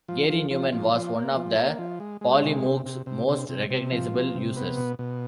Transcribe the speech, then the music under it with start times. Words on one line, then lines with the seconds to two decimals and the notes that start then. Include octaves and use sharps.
Gary Numan was one of the Polymoog's most recognizable users.
0.08 F3
0.29 F3
0.51 F3
0.72 F3
0.93 F3
1.15 A#3
1.36 F3
1.58 A#3
1.79 F3
2.00 G#3
2.21 G#3
2.42 C3
2.64 C3
2.86 C3
3.06 C3
3.28 C3
3.49 C3
3.70 C3
3.92 F3
4.13 C3
4.35 C3
4.56 B3
4.77 B2
4.99 B2